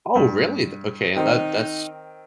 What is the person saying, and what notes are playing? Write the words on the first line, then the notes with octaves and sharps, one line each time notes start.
Oh, really? The Okay, and that that's
G2
D#3 C4 D#4